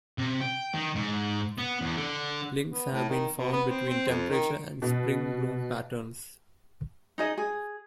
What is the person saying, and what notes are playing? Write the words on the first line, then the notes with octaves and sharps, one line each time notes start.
Links have been found between temperature and spring bloom patterns.
C3
G5
D#3
G#2
B3
E2
D3
B3
A2
D#3
B2
B3
C4
C4
F2
D#3
B2
D#4 G#4 D#5
G#4